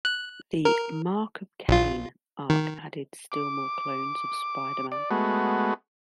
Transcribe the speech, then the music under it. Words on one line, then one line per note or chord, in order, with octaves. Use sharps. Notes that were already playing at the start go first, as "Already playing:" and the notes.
The "Mark of Kaine" arc added still more clones of Spider-Man.
F#6
A#4
A#1 F4
D#3
D6
D5
G#3 A3 B3 F#4